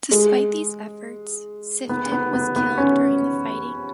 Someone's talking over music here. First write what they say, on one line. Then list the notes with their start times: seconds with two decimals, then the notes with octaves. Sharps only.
Despite these efforts, Sifton was killed during the fighting.
0.11 G#3
1.89 B3
2.12 B3
2.34 B3
2.56 B3
2.78 C#4